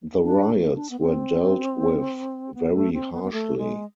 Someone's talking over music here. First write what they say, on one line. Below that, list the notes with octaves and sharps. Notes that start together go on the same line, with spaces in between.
The riots were dealt with very harshly.
D4
D4
B3
C4
B3
A3
C4
B3
B3
A3
G#3